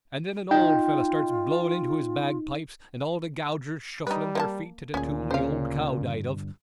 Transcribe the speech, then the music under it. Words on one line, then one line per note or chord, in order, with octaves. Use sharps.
And then an old fellow starts blowing into his bagpipes and all the gougers shuffling their feet to the tune the old cow died of.
D#4 F4 G5
G3 D#4 B4
A#3 E5 A5
D2 A#2 C#4 G#4
C#3 C#4 C5 F5
G2 D3